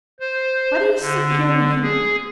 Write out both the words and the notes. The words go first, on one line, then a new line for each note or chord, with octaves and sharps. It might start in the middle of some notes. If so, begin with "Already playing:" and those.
Why do you sit here in the heat?
C5
D3
G#4